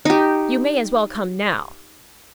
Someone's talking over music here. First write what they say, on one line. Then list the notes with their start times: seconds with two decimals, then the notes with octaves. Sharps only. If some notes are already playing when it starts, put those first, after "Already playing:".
You may as well come now.
0.05 D#4 G4